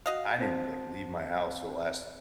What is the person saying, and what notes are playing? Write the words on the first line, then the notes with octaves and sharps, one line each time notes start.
I didn't even, like, leave my house for the last.
F#4 D#5 F5
C4 C5 A5